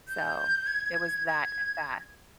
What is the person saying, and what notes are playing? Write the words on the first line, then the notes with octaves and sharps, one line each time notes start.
So it was that fat.
G6
G#6
G#6